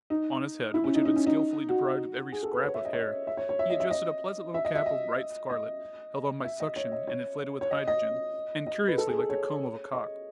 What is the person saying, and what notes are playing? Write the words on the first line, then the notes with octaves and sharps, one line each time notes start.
On his head, which had been skilfully deprived of every scrap of hair, he adjusted a pleasant little cap of bright scarlet, held on by suction and inflated with hydrogen, and curiously like the comb of a cock.
D#4
E4
C#4
D#4
D#4
C#4
D#4
F#4
G#4
A4
B4
C#5
E5
D#5
C#5
D#5
E5
C#5
C#5
E5
D#5
E5
D#5
E5
D#5
E5
D#5
D#5
E5
D#5
C#5
D#5
C#5
C#5
D#5
D#5
D#5
B4
A4
G#4
A4
C#5
D#5